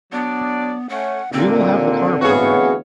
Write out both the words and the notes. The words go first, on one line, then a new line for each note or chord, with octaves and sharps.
We will have the car brought out.
F#3 B3 D4 D5
A3 C#4 F#5
D#2 A#2 D3 C4
D2 E3 B3 F#4 G#4 C#5 F5